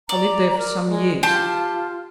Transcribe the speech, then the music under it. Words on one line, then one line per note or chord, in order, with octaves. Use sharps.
I lived there for some years.
D5 A#5
A#4
G#3
F4 G4 A5 C6